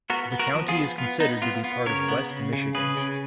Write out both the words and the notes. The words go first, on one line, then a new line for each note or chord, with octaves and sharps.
The county is considered to be part of West Michigan.
B3 F#4 A#4
B3
F#4 A#4
F3
F4 G#4
B3
B3 F4
B3 D#4
B3 F4
B3 F4
C#3 A#4 C#5
B3
C#3
C#3
C#3 G#4 B4
C#3